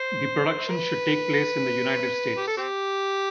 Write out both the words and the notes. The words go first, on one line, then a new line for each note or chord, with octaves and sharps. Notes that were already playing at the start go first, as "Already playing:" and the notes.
The production should take place in the United States.
Already playing: C5
B4
G4
A4
C4 G4